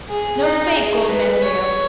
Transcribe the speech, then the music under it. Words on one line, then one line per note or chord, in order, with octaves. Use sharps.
No fake, old man Leo.
G#4
D#4
G#4
B4
C#5